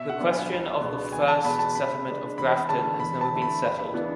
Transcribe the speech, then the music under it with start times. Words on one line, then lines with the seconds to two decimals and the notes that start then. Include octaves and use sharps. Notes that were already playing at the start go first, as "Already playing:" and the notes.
The question of the first settlement of Grafton has never been settled.
Already playing: B2 E5
0.09 F#5
0.19 F#3 B3 D4
0.30 G#5
0.50 C#2
0.81 B2 G#3 B3 D4
1.12 E2 G#5
1.28 A5
1.44 B2 G#3 B3 B5
1.59 A5
1.75 C#3 B5
2.07 G#3 D4
2.37 E2 B5
2.69 D3 G#3 C#4 A5
3.00 E2 B5
3.21 A5
3.31 D3 A3
3.42 B5
3.63 C#2
3.94 C#3 E3 B3 D4